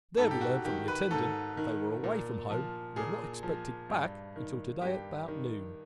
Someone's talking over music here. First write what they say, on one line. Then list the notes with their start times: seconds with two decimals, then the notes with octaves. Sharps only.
There we learned from the attendant that they were away from home and were not expected back until to-day about noon.
0.18 G#2 A4
0.31 G4
0.41 F#4
0.65 D#3 G4
0.88 B4
1.11 G#2 A4
1.57 D#3
2.04 A#2
2.50 F3
2.96 A#2 G#4
3.43 F3
3.89 G2
4.36 D#3
4.81 G2 G4
5.28 D#3